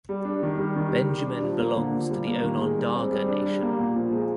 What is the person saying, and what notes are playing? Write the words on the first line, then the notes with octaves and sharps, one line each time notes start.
Benjamin belongs to the Onondaga Nation.
G3
D4
D#3
G3
D#3
G3
G3
D4
F3
A#3
D3
F3
G3
A#3
D#3
G#3
G3
C4
G3
D4
G3
A#3
A#2
F3
G#3